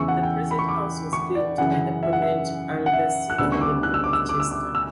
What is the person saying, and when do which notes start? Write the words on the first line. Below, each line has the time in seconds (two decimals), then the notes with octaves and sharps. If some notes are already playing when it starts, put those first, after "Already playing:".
The present house was built by the prominent Aldersey family of Chester.
Already playing: E2 C#3 E3 C#6 E6
0.08 F#5
0.23 G5
0.51 B5
0.59 C#6
0.68 D6
1.13 C#6
1.35 D5
1.58 F#2 C#3 E3 F#5
2.03 E5
2.13 F#5
2.22 E5
2.86 F#5
2.93 E5
3.30 F#6
3.38 D2 C#3 G3 B3 E6
3.52 C#6
3.61 D6
3.83 F#6
3.94 E6
4.04 D6
4.13 E6
4.29 D6
4.40 E6
4.51 D6
4.75 E6